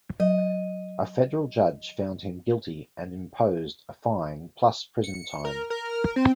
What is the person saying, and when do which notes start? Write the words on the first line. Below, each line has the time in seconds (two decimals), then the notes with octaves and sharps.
A federal judge found him guilty and imposed a fine plus prison time.
0.20 F#3 D#5
5.04 C#7
5.45 A#4
5.70 A#4
6.16 C4